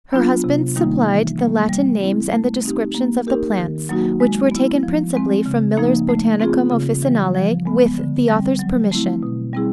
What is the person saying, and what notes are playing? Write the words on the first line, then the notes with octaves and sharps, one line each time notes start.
Her husband supplied the Latin names and the descriptions of the plants, which were taken principally from Miller's "Botanicum Officinale," with the author's permission.
F#3 B3 D4 F4
C3
D#3 G3 A#3 D#4
E3
G3 A#3
G3
C4 E4
A3
C4 D#4 G4
A#3
D#4 G4 A#4
D#3
F#3 A#3 D#4 F#4
G#3
B3 E4
F3
G#3 C4
C#3
F3 A#3 D#4
A3
C4 F4 G#4
C#3
E3
G3
F3
G#3 B3
D3
G3 C4
F#3
A3 C4 E4
B2
G3 C4 E4 G#4